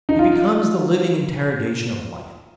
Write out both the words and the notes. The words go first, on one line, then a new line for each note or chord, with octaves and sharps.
He becomes the living interrogation of life.
D#4
F4